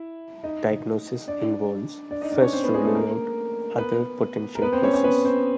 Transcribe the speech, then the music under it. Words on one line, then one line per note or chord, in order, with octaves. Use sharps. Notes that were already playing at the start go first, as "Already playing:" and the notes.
Diagnosis involves first ruling out other potential causes.
Already playing: E4 E5
D#4 D#5
D4 D5
D4 D5
D#4 D#5
D4 D5
C#4 C#5
C4 C5
B3 B4
G#3 G#4
A3 A4
A#3 A#4
B3 B4
A#4
B3 B4
C4 C5
C#4 C#5
C#4 C#5
B3 B4
C4 C5